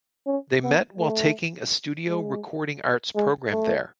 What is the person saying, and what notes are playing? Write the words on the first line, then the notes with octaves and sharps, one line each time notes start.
They met while taking a studio recording arts program there.
C#4
B3
A3
G#3
G#3
A3